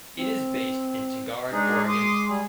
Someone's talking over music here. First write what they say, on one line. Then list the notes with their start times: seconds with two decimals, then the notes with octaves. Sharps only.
It is based in Tigard, Oregon.
0.16 C4
1.52 G#3 D4 D#4 G#4
1.89 C6 D6 D#6
2.28 G3 G#4